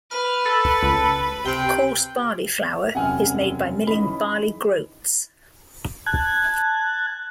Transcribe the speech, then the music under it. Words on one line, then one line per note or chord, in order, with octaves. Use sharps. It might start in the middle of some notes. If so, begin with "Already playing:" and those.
Coarse barley flour is made by milling barley groats.
B4 F6
A4
C#2
C3 G5
E1 F#2 C3 F#5 G#5 F6
E3 C#4 D#4 D#5 B5
A5 F#6 G#6